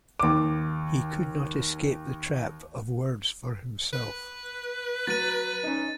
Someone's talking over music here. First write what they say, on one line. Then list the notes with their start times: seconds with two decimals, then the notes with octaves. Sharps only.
He could not escape the trap of words for himself.
0.20 D#2 D6
3.93 B4
5.07 F#3 A6 D#7
5.63 C#4 D#4